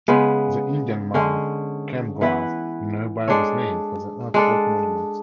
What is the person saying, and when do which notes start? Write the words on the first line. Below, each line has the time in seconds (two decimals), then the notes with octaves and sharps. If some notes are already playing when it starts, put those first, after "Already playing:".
The Indian Mound Campground nearby was named for the earthwork monuments.
0.08 C#3 G#3 B3
1.14 D3 G#3 C#4
2.21 E3 B3 E4 B4
3.28 G#3 D4 A4 C#5
4.34 G#3 D4 A4